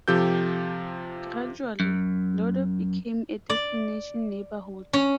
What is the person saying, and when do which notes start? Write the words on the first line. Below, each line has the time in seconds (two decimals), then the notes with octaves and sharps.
Gradually LoDo became a destination neighborhood.
0.08 C3 F3 G4 A4 G6
1.80 F#2
3.50 D5
4.93 C#4